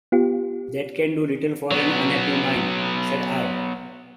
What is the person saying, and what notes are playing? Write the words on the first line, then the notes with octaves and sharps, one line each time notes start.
"That can do little for an unhappy mind," said I.
B3 F4 G4
F#3 B3